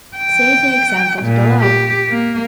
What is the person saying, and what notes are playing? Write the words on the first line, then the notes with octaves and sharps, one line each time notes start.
See the examples below.
G5
A#2
G4
A#3